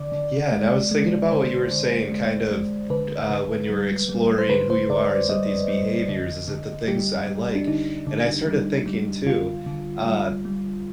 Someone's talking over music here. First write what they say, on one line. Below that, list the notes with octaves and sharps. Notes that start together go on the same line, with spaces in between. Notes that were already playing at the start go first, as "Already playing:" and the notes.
Yeah, and I was thinking about what you were saying, kind of, k uh, when you were exploring who you are, is it these behaviors? Is it the things I like? And I started thinking too, uh,
Already playing: D3 D5
D3
G#3
G#3
D3 C5
D3
G#3
G#3
D3 B4
D3
G3
G3
C5
D3 B4
C5
D3 D5
D5
G3 D#5
G3
D3
D3
G3 G4
G3
D4
D3 D#4
D3
G3
G3
D3 F4
D3
G3
G3